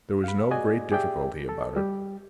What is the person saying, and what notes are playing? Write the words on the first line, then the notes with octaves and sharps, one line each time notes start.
There was no great difficulty about it.
F5 B5
F#4 G#4 D5 D#5 G#5
G4 G#4 D5 E5 G5
A4
G3 G4